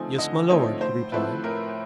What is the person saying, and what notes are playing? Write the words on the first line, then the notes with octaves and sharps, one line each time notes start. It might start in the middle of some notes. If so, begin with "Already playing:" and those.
"Yes, my lord," he replied.
Already playing: D3 F3 A3 C4 D#4 G#5
D3 D#5
F3 A3 C4 D#4 C#5
A2 C5
F3 A3 C4 E4 B4
A2 A#4